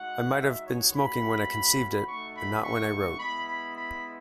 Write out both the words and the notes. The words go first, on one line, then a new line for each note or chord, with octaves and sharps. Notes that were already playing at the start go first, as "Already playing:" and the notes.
I might have been smoking when I conceived it, but not when I wrote.
Already playing: G#3 D#4 F#4 F#5
E5
C#5
A3 C#4 F#4 B5
A3 D#4 F#4 C#6
B5
C#6
G#3 B3 E4 B5
B5
B5